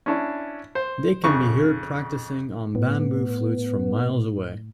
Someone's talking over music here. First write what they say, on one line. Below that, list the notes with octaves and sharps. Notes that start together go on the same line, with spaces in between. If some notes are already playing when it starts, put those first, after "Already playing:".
They can be heard practicing on bamboo flutes from miles away.
C#4 D4 E4
C5
F2 C#3 C#6
A2 B3